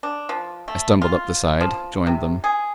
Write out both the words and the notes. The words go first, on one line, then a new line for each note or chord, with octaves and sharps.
I stumbled up the side; joined them.
D4
F3
A3
F4
F3
C3
G#4